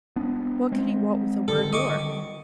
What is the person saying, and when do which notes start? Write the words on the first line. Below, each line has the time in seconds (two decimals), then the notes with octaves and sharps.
What could he want with a word more?
0.16 B3 D4
0.72 G#3 C4
1.48 D3 D#3 G3 A4
1.73 D#5 C#6 D6